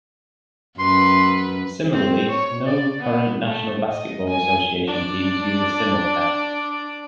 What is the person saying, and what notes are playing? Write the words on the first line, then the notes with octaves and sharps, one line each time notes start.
Similarly, no current National Basketball Association teams use a simulcast.
F#2 B4 C6
C4
C#5
D5
B3
A3
D#5
G#5
D4 D5